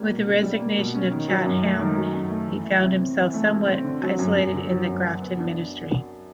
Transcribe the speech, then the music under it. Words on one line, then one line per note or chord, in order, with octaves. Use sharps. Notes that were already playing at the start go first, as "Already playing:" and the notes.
With the resignation of Chatham, he found himself somewhat isolated in the Grafton Ministry.
Already playing: G3 A#3
B2
C#4
G3
A#3
B2
C#4
D#3
F#3
F#2
A3
D#3
F#3
F#2
A3
E3
A3
C3
C4
E3
A3
C3
C4
D3
F#3
F#2
F#2
D3
F#3
F#2
F#2
B3
D4